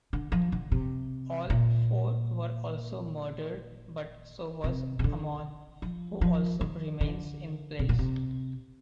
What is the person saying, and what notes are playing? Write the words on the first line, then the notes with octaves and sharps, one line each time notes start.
All four were also murdered, but so was Amon, who also remains in place.
D3
F3
D3
C3
A#2
C3
C3
D3
F3
F3
D#3
D3
C3
A#2
C3